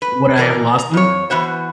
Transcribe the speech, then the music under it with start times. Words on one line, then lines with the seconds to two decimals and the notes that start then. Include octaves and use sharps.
Would I have lost them?
0.02 B4
0.36 B2 E3 A#4 D5
0.78 A#5
0.94 F2 C#5
1.30 E3 B3 F#4 C5